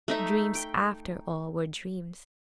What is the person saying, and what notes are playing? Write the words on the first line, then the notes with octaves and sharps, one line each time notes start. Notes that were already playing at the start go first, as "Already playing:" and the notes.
Dreams, after all, were dreams....
A3 D#4 E5
G5